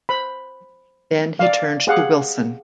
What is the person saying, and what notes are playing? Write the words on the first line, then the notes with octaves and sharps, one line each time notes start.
Then he turned to Wilson.
C5 B5
D5 F5
G4 G#4 F5 F#5